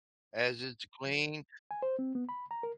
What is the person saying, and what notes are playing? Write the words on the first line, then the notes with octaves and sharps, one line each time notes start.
As it's clean,
G#5
C5
C4
B3
B5
A#5
A#4